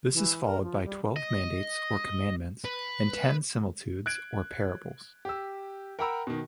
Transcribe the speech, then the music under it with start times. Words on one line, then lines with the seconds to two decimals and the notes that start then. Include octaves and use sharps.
This is followed by twelve mandates or commandments, and ten similitudes, or parables.
0.14 E3
0.45 A#4
0.63 F3
0.84 G3
1.16 D#5
2.65 B4
4.06 F#6 G#6 D7
5.25 G4 E6
5.99 A#4 F#5 G5 A#5 B5 E6
6.27 B2 D#3